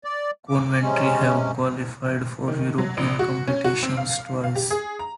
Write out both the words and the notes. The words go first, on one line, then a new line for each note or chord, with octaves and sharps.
Coventry have qualified for European competitions twice.
D5
D6
C3 G#3 C#4
D#3
F#3
A#1
F#4
C#4
F#4
C4
F5
F5
G4
G#4
A#5